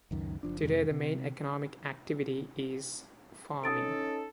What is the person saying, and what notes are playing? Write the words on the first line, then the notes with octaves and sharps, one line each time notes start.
Today the main economic activity is farming.
C#2 F#2 D#3
F#1 F3 D4
F2 C3 E3 G#3
C3
C#4 D#4 A4 D#6 A6 D7